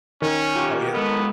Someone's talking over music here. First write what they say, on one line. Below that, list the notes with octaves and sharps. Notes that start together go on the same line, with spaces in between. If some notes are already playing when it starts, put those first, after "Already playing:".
Oh, yeah.
D#3 C#4
F4 G4
G#3 B3 A4 A#4